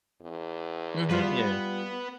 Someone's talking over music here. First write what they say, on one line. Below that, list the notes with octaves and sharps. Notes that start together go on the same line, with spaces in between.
Mhm, yeah.
E2
G3 B3 F4 B4 F5